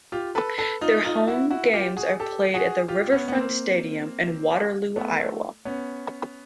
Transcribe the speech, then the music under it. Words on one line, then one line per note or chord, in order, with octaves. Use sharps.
Their home games are played at the Riverfront Stadium in Waterloo, Iowa.
F4 G4
A4 B4
A4 B4
D#4 F4
D#4 F4
E4 F#4
E4 F#4
F4 G4
F#4 G#4
G4 A4
F#4 G#4
F4 G4
B3 C#4
B3
A#3 C4
A3 B3
A3
B3 C#4